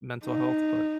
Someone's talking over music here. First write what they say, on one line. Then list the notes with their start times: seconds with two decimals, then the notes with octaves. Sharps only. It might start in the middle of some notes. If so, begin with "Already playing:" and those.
mental health, but
0.25 D#4